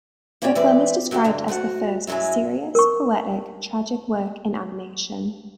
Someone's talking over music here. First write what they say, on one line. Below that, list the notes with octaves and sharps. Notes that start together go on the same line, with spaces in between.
The film is described as the first serious, poetic, tragic work in animation.
A#3 C#4 E4 G4 D5 G5
E3 G#3 C4 G4 B4 D5
F#3 A3 F#4 G4
G2 D3 G#3
G#2 A3 F#4 F#5
F#2 F#3 G#3 E4 G#5
A#4 C#6